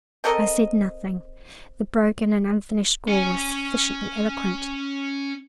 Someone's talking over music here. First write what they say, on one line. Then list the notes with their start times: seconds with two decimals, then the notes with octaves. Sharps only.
I said nothing; the broken and unfinished scrawl was sufficiently eloquent.
0.24 C4 A4 A#4 D#5
3.08 C#4 G#5